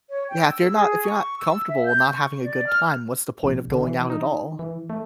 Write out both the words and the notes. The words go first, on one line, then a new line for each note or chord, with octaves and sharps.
yeah, if you're not if you're not comfortable and not having a good time, what's the point of going out at all?
C#5
G5
E6
G#4
C#6
E6
E5
G6
C#6
D5
F6
A#1
D3
E3
D#4
E3
A3